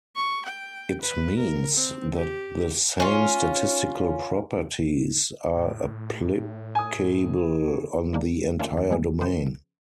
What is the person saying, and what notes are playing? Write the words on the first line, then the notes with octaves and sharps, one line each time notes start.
It means that the same statistical properties are applicable on the entire domain.
C#6
G5
B4
A#4
C4
G4
C#4 F4
A2
G#5 D#6
G#3 A#3 D4
D#3 A3 A#3 C#4 D4 F4
E2
G#2 E3 G3 A#3 G#4
C#3 F3 B3 B4 C5